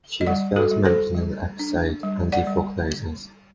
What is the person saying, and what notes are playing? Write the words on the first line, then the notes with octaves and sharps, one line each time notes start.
She is first mentioned in the episode "Andy Forecloses".
D#5
G3 D5 F#5
F#4 A4
G3
A4 C5
G3
D4
G3
D5 F#5
G3